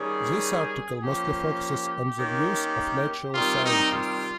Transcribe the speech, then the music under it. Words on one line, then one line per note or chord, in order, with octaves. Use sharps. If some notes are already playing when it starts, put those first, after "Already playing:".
This article mostly focuses on the views of natural scientists.
Already playing: D#3 G3 C#4 G#4
F3 A#3 C#4 G4
D#3 A#3 C#4
C3 D#3 G3 F4
D#4
F4